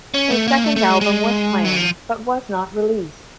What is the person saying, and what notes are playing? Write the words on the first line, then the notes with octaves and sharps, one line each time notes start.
A second album was planned but was not released.
C#4
A3
A#3
A3
A3
G#3
G#3
F#3
F3